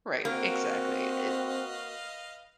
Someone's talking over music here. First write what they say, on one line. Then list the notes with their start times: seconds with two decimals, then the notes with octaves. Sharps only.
Right. Exactly. It,
0.25 A#3 C4 F#4 B4 D#5 F5